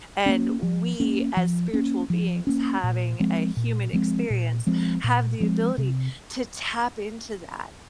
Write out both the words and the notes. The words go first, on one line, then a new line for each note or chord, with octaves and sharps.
and we as spiritual beings having a human experience, have the ability to tap into that,
A#3 C#4
F3
A#3 C#4
F3
A#3 C#4
F3
A#3 C#4
A#2
F3 G#3 C4
A#2
F3 G#3 C4
A#2
F3 G#3 C4
A#2
F3 G#3 C4
C3